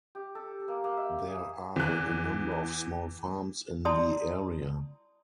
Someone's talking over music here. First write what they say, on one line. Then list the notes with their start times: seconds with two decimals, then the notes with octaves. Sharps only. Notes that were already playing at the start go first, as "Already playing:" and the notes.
There are a number of small farms in the area.
0.15 G4
0.35 A4
0.68 A#3
0.84 A#3
0.97 E5
1.28 G#4
1.76 E2 F#6
3.85 E4 D5 A5 C6 D#6